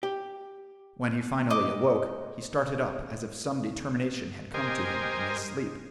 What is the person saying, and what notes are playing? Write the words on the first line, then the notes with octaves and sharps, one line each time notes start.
When he finally awoke, he started up as if some determination had come to him in his sleep.
G4
D#5 D6
G4 A#4 C5 D#5 G#5